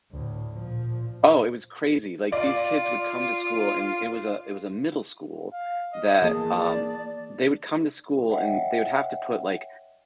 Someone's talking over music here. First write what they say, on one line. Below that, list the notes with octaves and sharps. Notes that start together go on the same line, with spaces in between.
oh, it was crazy, like, these kids would come to school and it was a it was a middle school that, um, they would come to school and they would have to put, like,
D2 A2
A#2 F3
F4 D5
F5
D#5
E3 A#3 G#4 A5
D5
C#5 D#5 E5 F#5 G5